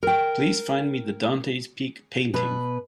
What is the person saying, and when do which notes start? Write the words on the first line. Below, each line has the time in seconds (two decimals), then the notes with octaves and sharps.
Please find me the Dante's Peak painting.
0.03 A#4 G5
2.34 B2 B4